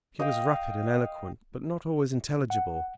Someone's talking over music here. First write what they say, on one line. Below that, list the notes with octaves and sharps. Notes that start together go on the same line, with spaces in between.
She was rapid and eloquent, but not always intelligible.
D#5 F5 G5
F#5